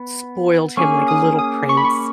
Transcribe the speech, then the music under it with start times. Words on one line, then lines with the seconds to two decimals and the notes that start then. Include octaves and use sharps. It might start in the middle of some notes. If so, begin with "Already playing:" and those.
spoiled him like a little prince.
Already playing: B3
0.77 A#3 C#4 G#4 C#6
1.08 D#6
1.39 D#6
1.69 C#6
1.77 B5
1.85 C#6